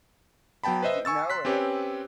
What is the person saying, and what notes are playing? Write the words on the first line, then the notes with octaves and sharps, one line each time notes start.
You know it.
F#3 B3 G5 A5 B5
B4 C5 D#5 E5
G#5 C#6 E6 A6
C6 F#6 B6
C4 C#4 G4 B4 C#5